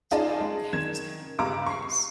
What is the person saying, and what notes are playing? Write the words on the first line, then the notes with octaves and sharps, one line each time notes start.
to the have those kind of memories.
C#4 D#4 F4 G#4 D5 A5
G#3
D#3 G#6 E7
C#2 G2 A#5 D6
C#6 C7